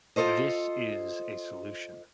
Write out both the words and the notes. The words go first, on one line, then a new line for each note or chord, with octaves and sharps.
This is a solution.
F4 A4 C5 D#5